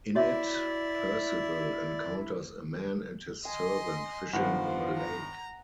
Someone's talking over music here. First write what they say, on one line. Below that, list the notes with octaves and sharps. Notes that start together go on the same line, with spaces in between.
In it, Percival encounters a man and his servant fishing on a lake.
E4 F#4 C#5 D5 E5
D#5 G#5 C6
G2 D#3 F3 B3 C5 F#5
A#5